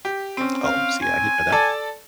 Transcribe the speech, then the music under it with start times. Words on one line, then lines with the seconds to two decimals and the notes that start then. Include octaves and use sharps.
Oh, see, I didn't know that.
0.05 G4
0.37 C4 C#4
0.65 F5
1.02 G#5
1.52 A4 D5 A5